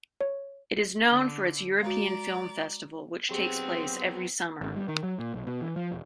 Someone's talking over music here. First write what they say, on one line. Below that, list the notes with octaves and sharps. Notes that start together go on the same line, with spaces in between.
It is known for its European film festival which takes place every summer.
C#5
D3
G#3 F#4 D5 A#5
F#3 B3 C4 G4 G#4 C6
G#1
G3
D#3
F#3
A#2
B1
B2
E3
F3
E1